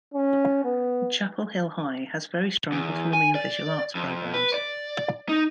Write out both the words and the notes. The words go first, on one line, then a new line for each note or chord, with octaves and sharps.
Chapel Hill High has very strong performing and visual arts programs.
C#4
B3
E2
G#5
D5
F2
B4
D5
D#4